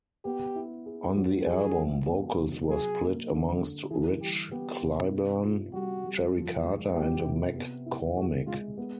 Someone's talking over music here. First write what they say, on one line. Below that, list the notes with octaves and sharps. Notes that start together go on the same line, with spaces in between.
On the album, vocals were split amongst Rich Cliburn, Jerry Carter and McCormick.
B3 G4
E4
G#4
F#3
F3 G#4
G#3
B3
C3
F#3 G#4
A#3
D3
D3
E3 G#4
G3 G4
B3 G4
C3
C4
F4
G3 F#4
G3
F3
G#3
B3 G4
C3
B3
E4
F#4 G#4
G#3 F4
B3